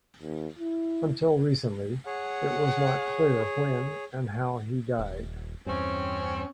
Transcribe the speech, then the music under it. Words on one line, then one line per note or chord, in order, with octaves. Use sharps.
Until recently, it was not clear when and how he died.
D#2
E4
G#4 C#5 F#5
D#1
E2 G2 C4 C#4